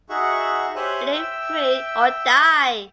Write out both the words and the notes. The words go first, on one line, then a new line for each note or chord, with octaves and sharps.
Live free or die!
D#4 F#4 G#4 E5 F#5 C#6
G4 C5 C#5 E5 G#5 F#6
E5 G5 E6